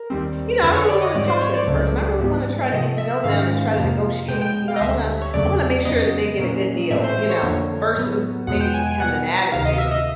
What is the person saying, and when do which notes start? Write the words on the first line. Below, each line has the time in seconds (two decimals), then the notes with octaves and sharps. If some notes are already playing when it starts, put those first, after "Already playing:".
you know, I really wanna talk to this person. I really want to try to get to know them and try to negotiate." You know, I wanna I wanna make sure that they get a good deal, you know, versus, maybe having an attitude
Already playing: A#4
0.10 D#2 D#3 G3 C4
0.62 F2 D3 F3 B4
0.75 C#5
0.89 D5
1.02 D#5
1.15 G#2 E3 G3 C4 D5
1.28 C5
1.41 C#5
1.54 D5
1.67 C#2 C#3 F#3 A3
2.19 G#2 E3 G3 B3
2.71 C3 F3 A3 D#5
2.98 E5
3.24 G#2 D#3 G#3 C#4 F5
3.76 F2 C3 F3 A#3
4.28 B2 G#3 B3 G5
4.42 G5
4.68 F5
4.76 D#5
4.81 D2 D3 G3 E5
5.22 C#5
5.33 E2 C#3 F#3 A3 D5
5.85 F2 C#3 F#3 B3 D#5
6.38 A#2 F#3 A#3 C#4
6.91 A2 E3 A3 C4 E5
7.04 C5
7.17 C5
7.30 C#5
7.43 F2 D3 F3 A#3
7.95 A2 F#3 B3
8.47 E2 B2 G#3 B3 F#5
8.61 G5
8.74 G#5
8.87 G#5
9.00 B2 G3 B3 F#5
9.52 D2 C3 D#3 F5
9.65 D#5
9.78 E5
9.91 D#5